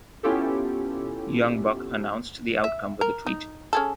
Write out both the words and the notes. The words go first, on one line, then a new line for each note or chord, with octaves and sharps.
Young Buck announced the outcome with a Tweet.
B3 C#4 E4 F4 G4 A4
E5
A#4
D#4
C#4 G#4 A4